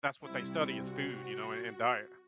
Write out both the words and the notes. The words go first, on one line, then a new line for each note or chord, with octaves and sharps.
that's what they study is food, you know, and, and diet.
C3 G3 C4 E4
F#4